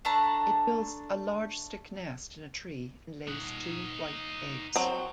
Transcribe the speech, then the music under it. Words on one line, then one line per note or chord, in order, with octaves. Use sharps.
It builds a large stick nest in a tree and lays two white eggs.
A3 D4 A5 A#5
D#4 F#5
F#3 C4